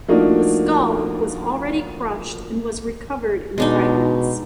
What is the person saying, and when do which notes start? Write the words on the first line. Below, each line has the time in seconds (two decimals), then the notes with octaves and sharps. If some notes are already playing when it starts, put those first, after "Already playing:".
The skull was already crushed and was recovered in fragments.
0.08 F3 A3 A#3 D4 D#4 F#4
3.58 B2 G#3 D4 D#4